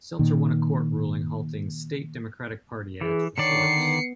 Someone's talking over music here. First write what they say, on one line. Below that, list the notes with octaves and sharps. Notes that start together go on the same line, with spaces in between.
Seltzer won a court ruling halting state Democratic Party ads for Forbes.
A#2 D#3
E3 G#4
D3 D#3 C#5 D5 C7 C#7
B3